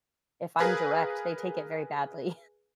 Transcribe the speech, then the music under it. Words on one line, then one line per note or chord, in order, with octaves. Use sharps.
if I'm direct, they take it very badly.
G#4 A#4 B4 F5 G#5